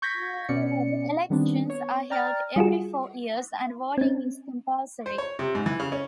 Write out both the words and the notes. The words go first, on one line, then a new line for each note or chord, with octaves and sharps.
Elections are held every four years and voting is compulsory.
C#6 G6 G#6 A#6 B6
B2 B3 C#4 D5 C#7
D#3 G3 B3 C4 D4
B3 C#5
D5 G5 A#5 F6 A6
G3 F4 F#4 G#4
C4 C#4
C5
C#5
C3
G#2
E3
C#3
C#4